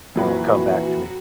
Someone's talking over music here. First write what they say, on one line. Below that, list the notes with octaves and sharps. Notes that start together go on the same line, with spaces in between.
um, come back to me.
F2 A#2 E3 F#3 F#4 B4